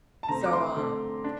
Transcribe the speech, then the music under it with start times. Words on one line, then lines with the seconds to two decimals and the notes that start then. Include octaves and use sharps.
So, um
0.23 A5
0.28 D3 A3 C4 A#5
0.45 D6
0.53 C6
0.76 D3 A3 C4
1.24 D4